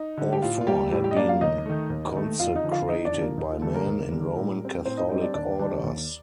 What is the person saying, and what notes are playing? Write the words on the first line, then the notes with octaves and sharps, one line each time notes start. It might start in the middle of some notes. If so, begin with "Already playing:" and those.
All four had been consecrated by men in Roman Catholic Orders.
Already playing: D#4
D3 G3
G4
A2 F4
F4
G3 A#3 G4
A2 G3 G4
G3 G4
D#5
G3 A#3 D4 D5
F4 F5
D#2 D#4 D#5
D#3 A3
D#2
D#3 A3
F2 F4 F5
D#4 D#5
D3 F3
F4 F5
F2 D#4 D#5
D4 D5
D3 F3
A#3 A#4
D#2 D#4
F4
D3 G3 A3 A4
A#3 A#4
D#2
D3 G3
A2
G3 C4
A2 C4 C5
D#4 D#5
G3 C4 D#4 D#5
D4 D5
D#2 D4 D5
D#3 G3 D4
D#2